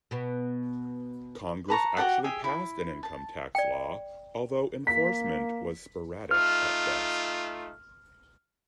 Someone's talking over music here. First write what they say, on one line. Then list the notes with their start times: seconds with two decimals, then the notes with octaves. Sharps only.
Congress actually passed an income tax law, although enforcement was sporadic at best.
0.11 B2 B3
1.68 B4 A5 A#5 C#6
1.97 F#4 G4 A4 F#5
2.24 G4 G#4 E5
2.44 E4
3.03 A5
3.55 D5 G5
4.87 A#3 B6
6.31 A3 D#4 F4 F6